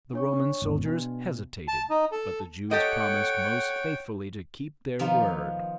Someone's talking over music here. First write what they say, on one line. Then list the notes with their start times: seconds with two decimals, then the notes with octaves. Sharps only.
The Roman soldiers hesitated, but the Jews promised most faithfully to keep their word.
0.13 D4 C#5 C#6
0.62 G#1 E2
0.85 B2 B3 D4
1.68 A5
1.90 D#4
2.12 A4
2.71 G4 A4 C#5 D#5 F#5 G5
4.99 D#3 F3 B3 D#4 F4